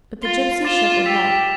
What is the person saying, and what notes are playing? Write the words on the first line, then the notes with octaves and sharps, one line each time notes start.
But the gipsy shook her head.
F4 A6 C7 G7
F4 D6 A6 C7 E7 G7
G4 E6 B6 F7